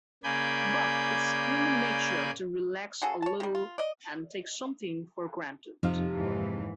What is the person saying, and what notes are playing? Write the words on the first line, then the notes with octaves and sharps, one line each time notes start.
But it's human nature to relax a little and take something for granted.
C#3 A#3 D5 G#5 B5 G6
C#3 F#4 G#4 A4
C#5 A5
D#3 G3
F4
D5 D#5
F2 C3 F3 D#4 F5
D#2 G#2 E3